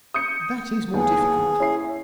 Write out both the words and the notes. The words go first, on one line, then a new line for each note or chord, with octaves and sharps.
"That is more difficult."
D#6 G6 C#7
D#2 B3 G#4
C#4 E4 C7